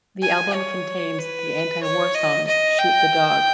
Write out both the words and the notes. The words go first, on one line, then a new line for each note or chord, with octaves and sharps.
The album contains the anti-war song "Shoot the Dog".
G#5
C#5
B4
C#5
D#5
D#5
G5